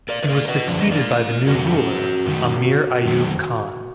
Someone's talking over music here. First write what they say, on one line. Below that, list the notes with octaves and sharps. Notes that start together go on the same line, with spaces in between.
He was succeeded by the new ruler, Amir Ayub Khan.
A#4 D5
B4
A#4 D5
B4 D#5
F#2 D3 F3 D5
D#5
A#4 D5
F2 D3 F#3 F#4 A#4
F#2 D#3 F#3
F2 D#3 F#3